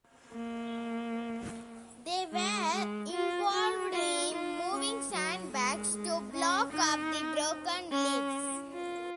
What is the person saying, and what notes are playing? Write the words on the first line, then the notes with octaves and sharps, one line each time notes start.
They were involved in moving sand bags to block up the broken levees.
A#3
G#3
G#3
F4
F#4
F4
F4
C#4
F#3
G#3
G#3
C#4
D#4
C#4
F4